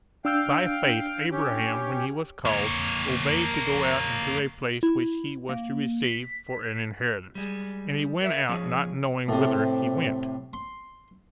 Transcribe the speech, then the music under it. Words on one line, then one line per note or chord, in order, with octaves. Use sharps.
By faith Abraham when he was called, obeyed to go out into a place which he was to receive for an inheritance; and he went out not knowing whither he went.
D4 F5 G5 E6 G6
C#4 G4
A#3 C#5
E4
A#3
B6
G3 G#3
A#4 E5
F3 C#4 G#4
A2 C3
C6